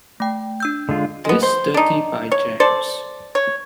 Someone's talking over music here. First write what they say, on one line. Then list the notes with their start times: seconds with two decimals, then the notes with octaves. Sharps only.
This study by James.
0.20 A3 G5
0.60 D4 E6 G6
0.89 D3 G#3 F4
1.25 G#3 B3
1.43 C5
1.74 D4 D#4
2.32 C#5
2.60 A4 C5 D5
3.35 C#5